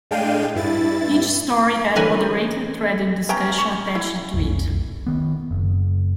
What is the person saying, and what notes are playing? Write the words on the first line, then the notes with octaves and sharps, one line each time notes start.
Each story had moderated threaded discussion attached to it.
A2 G#3 D4 F5 G5 D#7
G2 E4 A6
D3 E3 C#4 A#4 B4 G#5
B3 C#4 G5 A#5
C#6
E4
F1 B1
D#3 B3
F#1